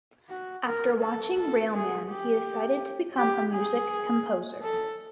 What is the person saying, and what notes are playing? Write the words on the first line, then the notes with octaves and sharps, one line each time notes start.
After watching "Railman", he decided to become a music composer.
F#4
A#4
A4
A4
G#4
G4
G4
G#4
A4